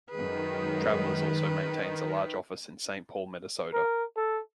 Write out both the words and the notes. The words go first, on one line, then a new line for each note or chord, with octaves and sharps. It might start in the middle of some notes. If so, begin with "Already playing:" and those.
Travelers also maintains a large office in Saint Paul, Minnesota.
F#2 D#3 G#3 G#4 B4
A#4
A4